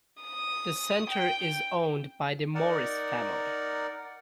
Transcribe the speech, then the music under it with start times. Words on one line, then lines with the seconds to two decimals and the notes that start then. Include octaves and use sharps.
The centre is owned by the Morris family.
0.23 D#6
1.10 G5
2.55 D#4 A#4 D5 F#5